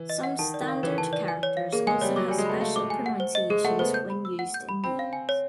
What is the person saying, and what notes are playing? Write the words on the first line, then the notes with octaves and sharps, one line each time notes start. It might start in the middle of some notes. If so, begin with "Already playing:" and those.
Some standard characters also have special pronunciations when used in names.
Already playing: E3
D#5
F#5
D#3 A5
D5
D#3
F5
E3 A4
A5
D5
G#5
C#5
F5
A#3 G#4
G#3 G#5
G3 C#5
F#3 D6
G3 G#5
G#3
A3 B5
A3 F5
D6
G#5
F#5
C5
D#5
G#3 G#4
A3 F#5
B3 C5
G6
B5
E6
F#5
G6
B5
C4 B5
F5
G#5
C#5